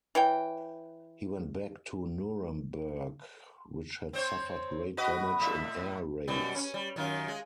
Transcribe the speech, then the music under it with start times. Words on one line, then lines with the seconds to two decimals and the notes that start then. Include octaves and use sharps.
He went back to Nuremberg, which had suffered great damage in air raids.
0.15 E3 C#5 G5
4.13 C4 C5 C#5
4.97 F#4 B4 D#5
5.40 A2 E5
6.28 F#2 B2 G3
6.56 C#4
6.74 G3
6.96 F#2 D#3 F4
7.28 G#3